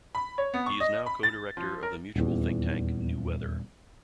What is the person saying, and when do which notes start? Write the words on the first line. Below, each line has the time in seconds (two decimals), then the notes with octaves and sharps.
He is now co-director of the mutual thinktank New Weather.
0.15 B5
0.38 C#5
0.54 B3
0.66 C#6
0.80 D#5
1.06 B5
1.23 A6
1.57 F3
1.83 A#4
2.16 D#1 E2